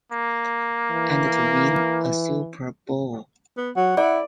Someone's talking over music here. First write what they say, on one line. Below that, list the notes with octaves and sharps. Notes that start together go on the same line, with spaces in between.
And to win a Super Bowl.
A#3
E3
B3
F#3 F#5
E4 D5